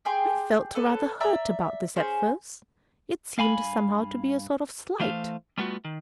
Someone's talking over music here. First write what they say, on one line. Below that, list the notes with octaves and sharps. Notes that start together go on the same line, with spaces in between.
I felt rather hurt about this at first; it seemed somehow to be a sort of slight.
G4 G#4 G5 C6
A4 B4 C#5
D5 E5 A#5 E6
C#4 G#4 C5
G2 F5 G#5 B5
E3 A3 C5 F5
G3 A3 B3 F4 F#4
D#3